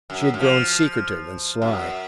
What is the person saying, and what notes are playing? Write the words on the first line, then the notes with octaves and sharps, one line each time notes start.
She had grown secretive and sly.
F#2
F#2
F3
F#2